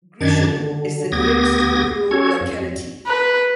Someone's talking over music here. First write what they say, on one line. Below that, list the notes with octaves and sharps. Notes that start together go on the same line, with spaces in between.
Grushin is the nearest rural locality.
F#2 D#3 D4 G#6 A6
D3
D2 B3 G4 D#6 G#6 A#6
C#4 F#4 A4 C#5 G#6
F2
B4